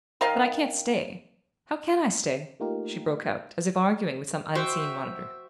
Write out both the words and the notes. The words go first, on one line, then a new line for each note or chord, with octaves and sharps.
"But I can't stay.--How CAN I stay?" she broke out, as if arguing with some unseen monitor.
D#3 A#4 D#5 F5
A3 A#3 D#4 F4 G4 A#4
F#4 C5 E5 G5